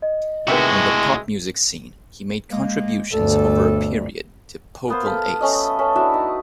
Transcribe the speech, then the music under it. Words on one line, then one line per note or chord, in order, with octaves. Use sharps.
On the pop music scene he made contributions over a period to Popol Ace.
D#5
A2 C3 D#3 G#3 B3 F#4
G#3 A#3
G1 D2 A4
A#3 B3 C5
A4 B4 F5
A3 C#4 D#5
C#4 A4 B4
D4 E4 F#4 E5
D#4